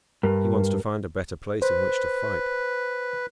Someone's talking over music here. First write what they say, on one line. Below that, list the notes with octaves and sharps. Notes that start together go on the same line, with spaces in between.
He wants to find a better place in which to fight.
G2 A#4
B4 C5